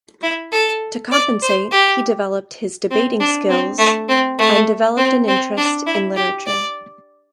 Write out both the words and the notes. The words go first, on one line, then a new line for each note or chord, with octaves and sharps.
To compensate, he developed his debating skills and developed an interest in literature.
E4
A4
D5
C5
G4
C4
D4
C4
A3
C4
A3
C4
C4
D4
E4
G4
D5